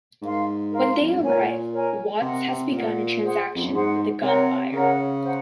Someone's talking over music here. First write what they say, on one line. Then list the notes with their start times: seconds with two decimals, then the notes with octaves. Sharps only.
When they arrive, Watts has begun a transaction with a gun buyer.
0.22 G#2 A#4 F5 C6
0.72 A#4 F5 C6
1.00 F2
1.07 F#2
1.15 G#2
1.22 A#2 A#4 C#5 G#5
1.72 A#4 C#5 G#5
2.22 C3 A#4 D#5 F#5
2.47 C3
2.72 A#2 A#4 D#5 F#5
3.23 G#4 C5 F#5 C6
3.56 F2
3.64 F#2
3.72 G#2 G#4 C5 F#5 C6
4.22 C3 A#4 C#5 F#5 A#5
4.72 C#3 A#4 C#5 F#5 A#5
5.22 C5 F#5 A#5